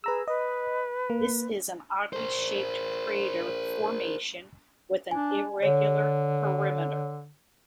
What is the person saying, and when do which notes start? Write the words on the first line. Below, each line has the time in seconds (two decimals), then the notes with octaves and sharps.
This is an oddly shaped crater formation with an irregular perimeter.
0.04 G#4 B4 A#5 E6
0.28 B4 D#5
1.10 A#3
2.13 A#4 C5
5.11 D4 G#5
5.63 D3 C#5